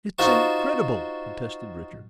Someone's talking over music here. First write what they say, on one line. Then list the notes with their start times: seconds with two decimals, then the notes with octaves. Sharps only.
"It's incredible!" protested Richard.
0.18 D#4 F4 F#4 C5 A5 C#6